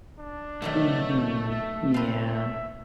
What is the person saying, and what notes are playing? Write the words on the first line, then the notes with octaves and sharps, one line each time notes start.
Mhm. Yeah.
D4
B2 D#3 F#3 A3
E5
C4 B4 F5
E5